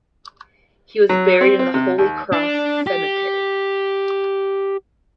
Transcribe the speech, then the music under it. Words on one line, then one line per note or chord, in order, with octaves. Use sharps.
He was buried in the Holy Cross Cemetery.
F#3
C4
C4
C3
D#2
D4
G4